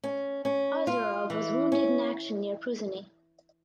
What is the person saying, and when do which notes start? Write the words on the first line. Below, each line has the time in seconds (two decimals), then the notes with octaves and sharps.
Ozerov was wounded in action near Pruzhany.
0.04 C#4
0.45 C#4
0.87 F4
1.30 E3
1.72 C#4